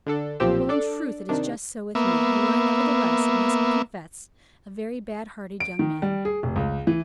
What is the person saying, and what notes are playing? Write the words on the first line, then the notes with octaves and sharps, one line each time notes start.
"Well! in truth, it is just so with me; you are, nevertheless, it must be confessed, a very bad-hearted young man."
D3 D4 A4
B1 A#2 F3 C4 G4 E6
D4 A4 D5
C3 D#3 D4
A#3 B3 E5
D7
D#3
G3
G#4
F1
C#2
E3